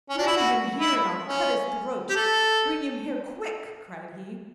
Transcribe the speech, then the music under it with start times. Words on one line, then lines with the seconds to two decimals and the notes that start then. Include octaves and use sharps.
'Bring him here, and I'll cut his throat! bring him here quick!' cried he.
0.09 C#4
0.18 D4
0.27 E4
0.36 F#4
0.80 E4
1.26 C#4
2.10 G4
2.15 A4